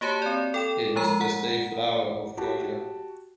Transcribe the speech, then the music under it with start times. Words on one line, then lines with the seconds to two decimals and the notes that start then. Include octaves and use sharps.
It is the state flower of Georgia.
0.01 A#3 F#4 G4 C#5 A5 C#7
0.22 C4 D5
0.54 A4 G5 E7
0.96 F3 G#3 A#5
1.21 F#5
2.37 F#4 G4 A5